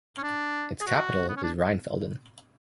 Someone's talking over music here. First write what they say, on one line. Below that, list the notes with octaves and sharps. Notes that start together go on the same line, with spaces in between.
Its capital is Rheinfelden.
C#4
D4
G#4
F#4
B3
C#4
D4